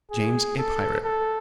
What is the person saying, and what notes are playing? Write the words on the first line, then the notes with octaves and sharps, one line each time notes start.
James, a pirate.
G#4
A4
A4